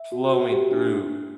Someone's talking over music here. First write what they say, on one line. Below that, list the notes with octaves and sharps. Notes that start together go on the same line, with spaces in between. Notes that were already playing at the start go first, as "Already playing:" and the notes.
flowing through
Already playing: E5
F#4
F#4
G4
D4